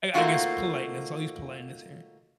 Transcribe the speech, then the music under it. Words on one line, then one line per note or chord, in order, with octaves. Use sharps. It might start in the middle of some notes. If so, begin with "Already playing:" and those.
I I guess, politeness- I'll use politeness here-
A3 A#3 C4 D#4 F4 F#4